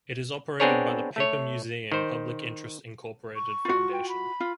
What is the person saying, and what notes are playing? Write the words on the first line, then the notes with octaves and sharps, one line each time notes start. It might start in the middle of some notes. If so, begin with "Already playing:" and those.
It is operated by the Paper Museum Public Interest Incorporated Foundation.
B3 C4 D4 G#4 A#4 C#5
A3 C#5
D#3 C5
C#6
F4 F#4
G5
B5
F4